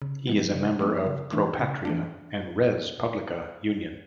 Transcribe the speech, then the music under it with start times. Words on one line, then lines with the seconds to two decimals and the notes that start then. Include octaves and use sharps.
He is a member of Pro Patria and Res Publica Union.
0.02 C#3
0.27 F3 G#3 B3
0.54 C#3
0.80 F3 G#3 B3
1.07 C#3
1.33 E3 A3 D4
1.59 C#3
1.85 E3 A3 D4